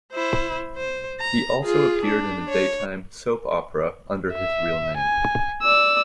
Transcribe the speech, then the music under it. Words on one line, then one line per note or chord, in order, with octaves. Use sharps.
He also appeared in a daytime soap opera under his real name.
E4 C5
C5
A#5
F4 G#4
D4
C#5
E5
G#5
D5 E6